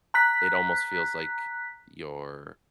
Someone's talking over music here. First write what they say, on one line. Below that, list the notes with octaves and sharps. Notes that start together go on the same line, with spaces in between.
"it almost feels like you're
A#5 F#6 B6